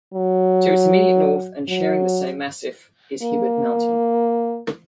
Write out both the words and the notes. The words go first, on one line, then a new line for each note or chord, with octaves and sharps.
To its immediate north and sharing the same massif is Hibbard Mountain.
F#3
F#3
A#3